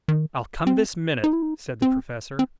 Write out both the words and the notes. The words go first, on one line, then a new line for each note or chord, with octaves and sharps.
"I'll come this minute!" said the Professor.
D#3
C4
D#4
E4
D#4
C4
C4